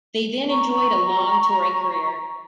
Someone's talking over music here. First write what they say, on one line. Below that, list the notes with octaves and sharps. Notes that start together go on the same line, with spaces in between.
They then enjoyed a long touring career.
A#5 C#6